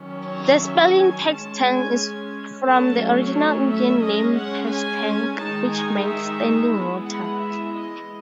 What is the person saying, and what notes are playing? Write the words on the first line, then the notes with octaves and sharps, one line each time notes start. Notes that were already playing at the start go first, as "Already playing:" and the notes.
The spelling "Paxtang" is from the original Indian name "Peshtank", which meant "standing water".
Already playing: D#3 F#3 C#4
C#5
E5
G#5
G#3 C#4 A5
G#5
F#3 A3 C#4 A5
C#5
E5
G#3 C#4 D#5
F#5
G#5
D#3 G#3 D#4 A5
G#5
E5
E3 G#3 B3
F#5
E5
D#5